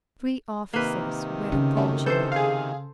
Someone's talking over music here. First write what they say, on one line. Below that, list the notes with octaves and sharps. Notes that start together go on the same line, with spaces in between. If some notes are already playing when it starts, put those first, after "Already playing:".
Three officers were approaching.
C3 D#3 A#3 B4
C#3
F#2 A3
E3 A4 C5 G6
G#4 F5